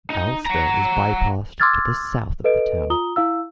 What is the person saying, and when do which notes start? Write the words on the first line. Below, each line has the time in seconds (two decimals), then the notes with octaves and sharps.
Alcester is bypassed to the south of the town.
0.10 D#4
0.47 F#5 A#5
1.60 C6 D6 E6 F6 G#6 A6
2.44 A4 B4 D#5 D7
2.90 F4 A#5 D#6 G7
3.16 E4 F5 E6